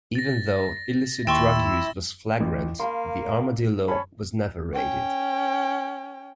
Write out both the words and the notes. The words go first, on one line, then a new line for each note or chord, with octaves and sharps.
Even though illicit drug use was flagrant, the Armadillo was never raided.
A6 A#6
D#2 E4 G5 C6 C#6 E6 A6 E7
A1
A#3 F5 B5 C6
C#4 C#5 A5 B5
C#4 G5